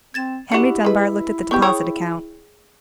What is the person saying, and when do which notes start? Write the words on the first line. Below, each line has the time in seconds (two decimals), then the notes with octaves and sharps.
Henry Dunbar looked at the deposit account.
0.14 C4 G#6 A6 E7
0.52 D4 E4 F#4 G4 C#7
0.85 G#3 B4
1.51 B3 G4 C#6 G6
1.62 G#4 C#5 G5 D#6